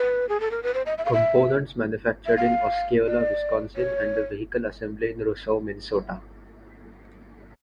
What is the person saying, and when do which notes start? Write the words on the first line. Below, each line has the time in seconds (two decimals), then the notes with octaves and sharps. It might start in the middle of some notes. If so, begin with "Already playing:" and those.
Components manufactured in Osceola, Wisconsin and the vehicle assembly in Roseau, Minnesota.
Already playing: B4
0.29 G#4
0.40 A4
0.51 A#4
0.63 B4
0.74 C5
0.86 D#5
0.98 E5
1.05 F5
1.13 E5
2.26 E5
2.37 F5
3.07 D5
3.76 C#5